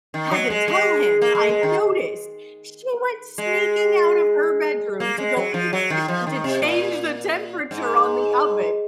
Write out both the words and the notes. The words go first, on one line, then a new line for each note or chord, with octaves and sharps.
had to tell him, I noticed she went sneaking out of her bedroom to go into the kitchen to change the temperature on the oven,
D#3
F#3
G#3
G#3
A#3
G#3
G#3
D#3
G#3
A#3
G#3
F#3
F3
F#3
D#3
F3
D#3
C3
A#2
G#2